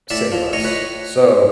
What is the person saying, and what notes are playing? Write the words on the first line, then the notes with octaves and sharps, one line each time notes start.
save us. So,
A2 D5 E5
F3
A2 C#5 D#5
B4 C#5